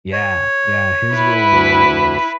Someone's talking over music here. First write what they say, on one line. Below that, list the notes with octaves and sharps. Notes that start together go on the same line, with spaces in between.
Yeah, yeah. His role in that was
C#5
E4 B4
D2